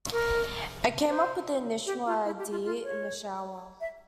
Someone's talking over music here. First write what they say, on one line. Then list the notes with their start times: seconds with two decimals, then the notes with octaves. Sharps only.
I came up with the initial idea it in the shower.
0.12 A#4
1.09 C5
1.86 G4
2.06 F4
2.25 E4
2.39 G4
2.51 F4
2.64 F4
2.84 C#5
3.81 E5